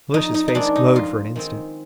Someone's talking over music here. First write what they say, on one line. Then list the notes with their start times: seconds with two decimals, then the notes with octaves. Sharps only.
Felicia's face glowed for an instant.
0.14 F2 D#4
0.34 D#4
0.48 D#4
0.54 D#3 G#3 C4 D4
0.76 D#4
0.95 F2 F4
1.36 D#3 G#3 C4